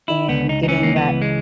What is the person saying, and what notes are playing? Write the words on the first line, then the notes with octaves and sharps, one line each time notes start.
and, giving that
E4
C#2 B3
D#4
D#4
E3 C#4
A#3
B3
C#2
G#3